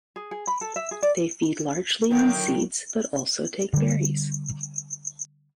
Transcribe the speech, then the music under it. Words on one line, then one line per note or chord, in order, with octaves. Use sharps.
They feed largely on seeds, but also take berries.
G#4
G#4
B5
A4
E5
G#4
D5
A2 D3 D#3 F#3 A#4 G5
D3 G3